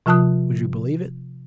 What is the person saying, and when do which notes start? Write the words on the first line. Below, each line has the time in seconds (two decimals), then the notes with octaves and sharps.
Would you believe it?
0.06 C3 F3 F4 A5 D#6 F#6